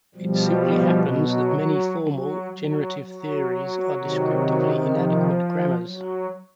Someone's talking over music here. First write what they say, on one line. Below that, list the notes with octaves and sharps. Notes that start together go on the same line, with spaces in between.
It simply happens that many formal, generative theories are descriptively inadequate grammars.
B2 F3 G3
F#3
F#3
F#3
F#3
C3 D#3
F3
F#3